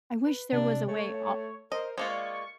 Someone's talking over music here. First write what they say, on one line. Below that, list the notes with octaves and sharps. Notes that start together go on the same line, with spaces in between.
I wish there was a way al
B4
C3 D4
A3 C#5
A#4 C5 D#5
G#3 A#3 F4 C5 C#6
D5